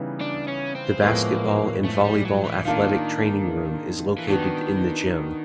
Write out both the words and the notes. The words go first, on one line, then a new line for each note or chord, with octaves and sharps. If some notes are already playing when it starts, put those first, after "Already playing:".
The basketball and volleyball athletic training room is located in the gym.
Already playing: C#3 E3 G3 B3 D#4
D4
C#4
C4
A2 F3 G#3 A#3 B3
A3
G3
F#3
E3
D#3 A#3 D4 F4
E3
D#3 B3 D4 F#4